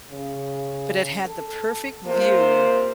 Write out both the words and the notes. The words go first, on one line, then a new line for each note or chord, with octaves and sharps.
but it had the perfect view
C#3
A4
C3 A#3 F4 C5